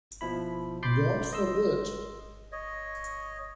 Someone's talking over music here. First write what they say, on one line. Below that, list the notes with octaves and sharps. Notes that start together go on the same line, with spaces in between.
God forbid!
B2 F3 E4 B5
B5 C6 D6 G6 A6 C7
D#5 C6 E6
C#5 D#5